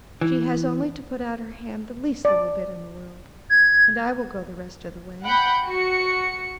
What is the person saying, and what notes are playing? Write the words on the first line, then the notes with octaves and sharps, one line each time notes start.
She has only to put out her hand the least little bit in the world, and I will go the rest of the way.
E3
D5
G#6
F#5 G5 B5 G6
F#4 C#7